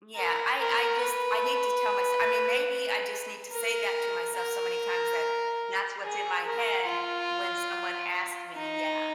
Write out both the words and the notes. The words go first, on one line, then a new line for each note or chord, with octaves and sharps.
Yeah, I I just I need to tell mysel I mean, maybe I just need to say that to myself so many times that that's what's in my head, when someone asks me Yeah.
A#4
A#4
B4
A#4
A#4
G#4
A#4
F4
D#4